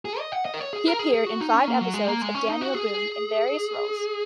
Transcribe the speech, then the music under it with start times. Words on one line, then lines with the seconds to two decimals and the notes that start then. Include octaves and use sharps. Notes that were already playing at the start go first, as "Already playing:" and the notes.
He appeared in five episodes of "Daniel Boone" in various roles.
0.05 G#4
0.19 D#5
0.32 F#5
0.45 D#5
0.54 A#4
0.60 C#5
0.73 G#4
0.86 A#4
0.99 G#4
1.14 G#4
1.26 F#4
1.40 D#4
1.54 C#4
1.67 A#3
1.81 F#3
1.94 G#3
2.08 A#3
2.22 G#3
2.35 C#4
2.49 D#4
2.61 F#4
2.74 G#4